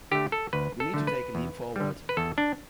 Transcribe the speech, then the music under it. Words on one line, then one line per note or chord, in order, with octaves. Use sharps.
You need to take a leap forward.
D3 A3 G4
A4
D2 B4
A4
D3 A3
B4
E2
D3 G3
B4
E2 A4
D4